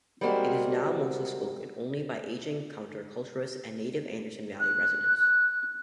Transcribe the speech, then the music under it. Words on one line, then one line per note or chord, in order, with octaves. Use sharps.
It is now mostly spoken only by aging counter-culturists and native Anderson Valley residents.
G3 G#3 A#3 C4 F#4
F#6